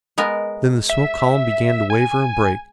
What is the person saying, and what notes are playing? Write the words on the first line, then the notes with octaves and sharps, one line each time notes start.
Then the smoke column began to waver and break.
G#3 B3 A#4
E5
G#5